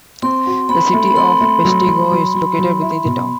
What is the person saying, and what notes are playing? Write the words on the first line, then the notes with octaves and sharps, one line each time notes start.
The City of Peshtigo is located within the town.
C4 C6
F#4
C4 B5
A3
B5
C4 C6
A3
F#3
F#3
F#3
F#3
F#3
E4
B2